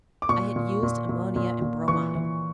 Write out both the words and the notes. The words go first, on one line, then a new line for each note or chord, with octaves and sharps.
I had used ammonia and bromine.
D6
A#2 C#6
A#2
A#2
A#2
A#2
A#2
E3 C#6
E3